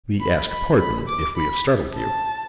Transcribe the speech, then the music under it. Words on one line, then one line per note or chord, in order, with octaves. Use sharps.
"We ask pardon if we have startled you."
B5
B5
B5
D6
B5
A5